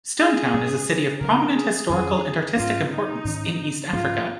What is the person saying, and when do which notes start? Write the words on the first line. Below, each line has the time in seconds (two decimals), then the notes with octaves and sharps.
Stone Town is a city of prominent historical and artistic importance in East Africa.
0.19 G#4
0.53 G#2 G#3 C#4
1.21 C#3 F3 C#4 A#4
1.55 G#4
1.89 F2 D#3 G#3 C#4 G#4
2.57 G#2 G#3 C#4 F4
2.91 D#4
3.25 G#2 D#3 C#4
3.93 G#2 F3 G#3 C#4 F4